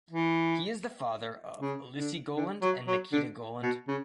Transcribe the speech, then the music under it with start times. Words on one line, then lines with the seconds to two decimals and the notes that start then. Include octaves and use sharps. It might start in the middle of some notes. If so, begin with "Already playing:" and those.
He is the father of Elisey Goland and Nikita Goland.
0.11 E3
1.61 C#3
1.99 D3
2.37 D3
2.62 F#3
2.87 F#3
3.12 D3
3.63 B2
3.88 C#3